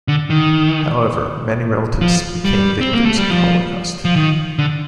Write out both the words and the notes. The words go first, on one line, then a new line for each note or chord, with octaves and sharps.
However, many relatives became victims of the Holocaust.
D3
D#3
F3
G3
C4
A#3
A3
G3
F3
F3
D#3
D3